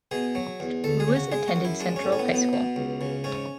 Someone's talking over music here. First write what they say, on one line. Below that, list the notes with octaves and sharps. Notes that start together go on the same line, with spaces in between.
Louis attended Central High School.
B2 G#4
F#3
E2
D2 A4
G#4
C#3
F#4
G#3 G#4
F#4
F#2
E4
G#3 D4
C#4
A2
C#4
B3
B2
B3
B2
C#2
C#3
G#2 C#4